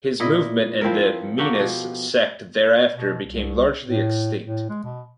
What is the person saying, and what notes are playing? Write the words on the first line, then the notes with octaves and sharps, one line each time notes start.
His movement and the "Minas" sect thereafter became largely extinct.
A#2 E4 D#5
F3 C4 E4 A#4
A#3 F#4 G4 A4
B2 F3
B2
C2
A2
A2
G#3
B2